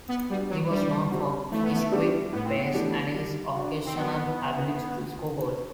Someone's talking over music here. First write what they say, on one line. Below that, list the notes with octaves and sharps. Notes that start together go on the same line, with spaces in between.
He was known for his quick pace and his occasional ability to score goals.
B3
G3 B3 D4 F#4
F#3
D3 G3
G3 C4 F#4
E3 A3
B3
A3
G3 B3 D4 G4
A2 B3
C4
B3
E3 A3 D4 G4
G3
D4 F#4
C4
F#3 B3